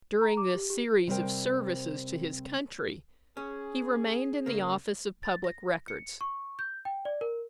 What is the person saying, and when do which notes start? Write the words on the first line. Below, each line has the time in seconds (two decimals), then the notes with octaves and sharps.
During this series of services to his country, he remained in the office of Public Records.
0.21 A#5
0.37 D6
0.55 G4
0.70 G4
1.07 C3 G3 C4 A#4 C5 G5
3.37 C#4 G#4
4.46 C#3 A#3
5.23 A6
5.44 A#6
5.88 C#7
6.21 C#6
6.59 G6
6.85 G5
7.05 D5
7.21 A#4